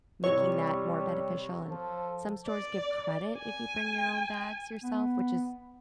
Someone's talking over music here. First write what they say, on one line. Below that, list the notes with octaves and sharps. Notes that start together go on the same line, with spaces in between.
making that more beneficial, and some stores give credit if you bring your own bags yourself, which is
C3 E3 G3 C#5
F3 A4
D5
G#5
B3